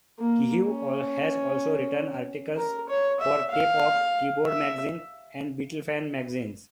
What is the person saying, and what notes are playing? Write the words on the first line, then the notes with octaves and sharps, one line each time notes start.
Kehew has also written articles for "Tape Op", "Keyboard Magazine", and "Beatlefan" magazines.
A#3
C#4
A#4
C#5
E5
F5
E5